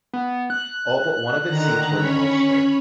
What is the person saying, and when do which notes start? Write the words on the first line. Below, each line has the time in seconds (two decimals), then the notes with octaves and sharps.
All but one of its seats were in Ulster.
0.14 B3
0.50 F#6
1.46 D3 D#3 A#5
1.94 C#4 C#5 B5